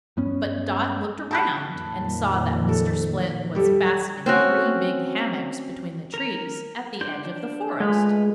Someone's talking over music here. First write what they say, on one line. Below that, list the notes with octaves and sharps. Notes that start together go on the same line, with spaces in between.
But Dot looked around and saw that Mr. Split was fastening three big hammocks between the trees at the edge of the forest.
G2 B3 C#4
A5 B5 F#6
F2 A#2 D#3
A4
G3 G4 A4
C4 C#4 F#4
A#4 A#5
D4 C6 G6
D4
G#3 A3 F4 B4